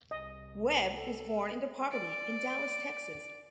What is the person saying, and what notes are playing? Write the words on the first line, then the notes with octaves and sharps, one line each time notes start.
Webb was born into poverty in Dallas, Texas.
C2 D#5
A4
D5 D7